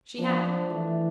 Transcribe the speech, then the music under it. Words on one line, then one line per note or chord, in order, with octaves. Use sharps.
She had.
F3 D4
D4
E3 A3